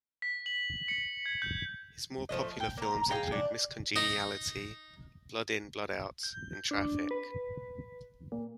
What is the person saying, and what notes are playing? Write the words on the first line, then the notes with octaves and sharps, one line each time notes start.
His more popular films include "Miss Congeniality", "Blood In Blood Out" and "Traffic".
B6
F#7
C#7
G#6
G6
F3 A3 D#5
G5
A#3 A#5
G#4 F5 G5 A#5
D4
D#4
G6
D4
B4
A#2